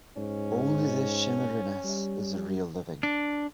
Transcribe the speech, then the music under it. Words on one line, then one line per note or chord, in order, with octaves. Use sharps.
Only this shimmeriness is the real living.
G#2 C#4
G3
D4